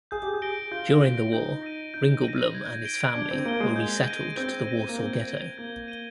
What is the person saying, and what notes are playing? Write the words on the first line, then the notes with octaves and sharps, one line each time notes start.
During the war, Ringelblum and his family were resettled to the Warsaw Ghetto.
G#4 G6
G4
G#4
A#6 D7 G7
F4 G6
A#6 D7 G7
D#4 G6
A#6 D#7
D#4 G6
A#6 D#7
G#6
D7 G7
D4 G#6
C4
A#3 D7 G7
G#3
G6
A#6 D#7 G7
C4 G6
A#6 D#7 G7
A#3
C4 G#6
D#7 G7
A#3 G#6
D#7 G7